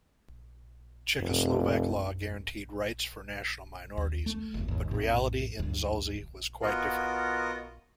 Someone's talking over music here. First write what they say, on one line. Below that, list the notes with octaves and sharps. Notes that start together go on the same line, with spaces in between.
Czechoslovak law guaranteed rights for national minorities but reality in Zaolzie was quite different.
F1 F#2
D#2
A3
F#1 E2
G1 D#2 G#2
A#1 F2 A2
D1 D2 G2
B3 F4 F#4 A#4 D#5